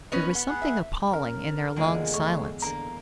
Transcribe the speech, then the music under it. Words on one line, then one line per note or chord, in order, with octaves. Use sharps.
There was something appalling in their long silence.
B3 C#4 B4 D#5
B3 B5
G#4 B4 F#5
E5
C#4 A#4
E2 A#2 D3 G#3
A3 C#5
D3 A#3 A#5